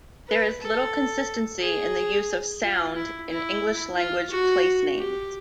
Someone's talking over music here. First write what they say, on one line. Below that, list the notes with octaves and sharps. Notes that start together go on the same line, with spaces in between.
There is little consistency in the use of "sound" in English-language place names.
B4
A4
G#4
F4
E4
E4
F4
F#4
G4